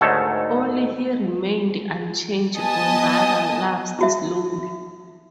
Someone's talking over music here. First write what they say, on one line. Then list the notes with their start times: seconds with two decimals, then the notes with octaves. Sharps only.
Only he remained unchanged, or rather, lapsed slowly.
0.01 D2 G#2 D#3 A3 A4 C#5
2.56 B3 D#5 G#5 A5 D#6
3.99 E4 F#4 E5